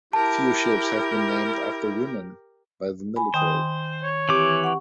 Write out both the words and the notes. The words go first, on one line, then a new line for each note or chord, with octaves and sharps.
Few ships have been named after women by the military.
E4 G4 A#4 A5
G#5 B5
D#3 C5 G5 D#6
C#5
E3 C4 G4 D6
F#5 C#6